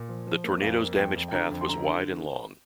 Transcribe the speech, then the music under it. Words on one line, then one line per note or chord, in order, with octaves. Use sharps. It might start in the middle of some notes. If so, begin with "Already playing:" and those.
The tornado's damage path was wide and long.
Already playing: A#2
F3
F3
A#3
F2 F5
A#3
F2 G5
F2
G5
D3 A#5
F2
C6
D3 A#5
D3